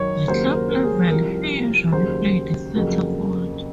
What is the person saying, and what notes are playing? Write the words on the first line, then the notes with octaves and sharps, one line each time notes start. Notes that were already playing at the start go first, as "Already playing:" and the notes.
At club level he usually played center-forward.
Already playing: F#2 D#3 F#3 C#5
D#2 C#3 F#3 A#3 C5
A#4
A#4
G#4
C2 C3 F3 A#4
D#2 C#3 F#3 C5
F2 C#3 F#3 A#3